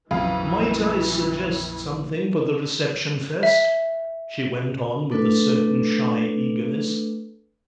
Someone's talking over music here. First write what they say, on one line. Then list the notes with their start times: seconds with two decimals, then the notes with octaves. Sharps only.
"Might I suggest something for the Reception Fest?" she went on, with a certain shy eagerness.
0.11 A#1 F2 C#3 E3 F#3 F5
3.43 E5
5.11 A3 D4 A4 B4